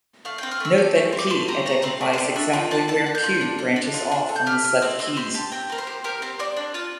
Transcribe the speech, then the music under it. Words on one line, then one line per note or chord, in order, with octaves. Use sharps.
Note that "p" identifies exactly where "q" branches off from the set of keys.
A3 F5
C4 G5
F6
A3 E6
G4
A3
C4
D6
A3 C6
G4 A#5
A3 A#5
C4 C5
A3 D5
C5
G4 D5
D4 E5
F4 G5
D4 A5
A4 A5
D4
G6
F4
D4
A4
D4
F4
D4
A4
G6
G4 F6
G4 F6
C4 E6
C4 E6
G4 C6
G4 A5
C4 G5
C4 A#4
C5
G4
G4 A#4
C4 C5
C4 D5
D4
F4 A5